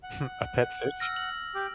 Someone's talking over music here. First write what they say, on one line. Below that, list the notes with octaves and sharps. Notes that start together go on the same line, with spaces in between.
Hmm, a pet fish?
F#5
E6 F6 A#6
F#7
G4